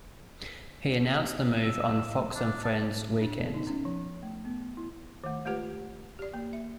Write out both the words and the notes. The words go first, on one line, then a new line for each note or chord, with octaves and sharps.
He announced the move on "Fox and Friends Weekend".
E6
D4
A5
D4
B3
D#4
C#4
F3
A3
B3
E4
D#3 A3
G#3 A3 F4 G4 B4
G4 D5
A#3
E5